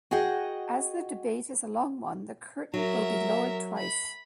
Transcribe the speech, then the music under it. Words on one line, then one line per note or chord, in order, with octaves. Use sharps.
As the debate is a long one, the curtain will be lowered twice.
F#4 G#4 D#5 F#5 G5
F#3 A#4 E5
B5